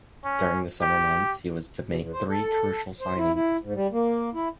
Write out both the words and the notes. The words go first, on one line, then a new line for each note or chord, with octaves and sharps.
During the summer months he was to make three crucial signings.
C#4
G4
B2
E2
C5
A4
C5
E4
E4
G#2
G3
A#3
E4